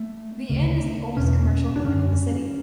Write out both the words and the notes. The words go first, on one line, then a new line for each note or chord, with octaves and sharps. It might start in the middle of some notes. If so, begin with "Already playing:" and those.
The Inn is the oldest commercial building in the city.
Already playing: A3
D2 C#3
E2 B2 C#4
D4
F#2 D3 C#4